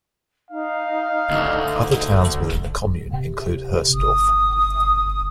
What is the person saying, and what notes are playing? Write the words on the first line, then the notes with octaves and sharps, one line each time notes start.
Other towns within the commune include Hoesdorf.
D#4 F5
D2
C3
G1 D#6